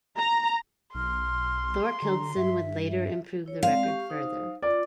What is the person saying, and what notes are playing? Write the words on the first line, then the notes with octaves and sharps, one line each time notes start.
Thorkildsen would later improve the record further.
A#5
B1 C6 F6
D3 A#5
G2 E5
E5
E4 C#5
G#3 C4 D5 F5
G4 C#6
D#4 C5 D#6
F4 D5